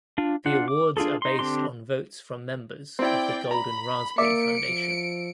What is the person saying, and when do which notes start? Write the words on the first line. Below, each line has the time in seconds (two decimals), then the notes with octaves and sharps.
The awards are based on votes from members of the Golden Raspberry Foundation.
0.18 D4 F4
0.46 D4 F4 F#5
0.68 D6
0.97 D4 F4 G#4 A4
1.22 D#4 C6
1.39 D3 C4 D4 G4 C6
2.99 C4 E4 D5 G5
3.51 A#5 B5
4.18 A#3 D5 E5 D6 C#7 D7
4.67 F3